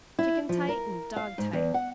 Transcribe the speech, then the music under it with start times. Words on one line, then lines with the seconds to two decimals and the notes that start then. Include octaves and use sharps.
Chicken-tight and dog-tight.
0.19 E4
0.49 F3
0.69 A#4
1.16 F5
1.38 G#2
1.53 E2
1.74 F#5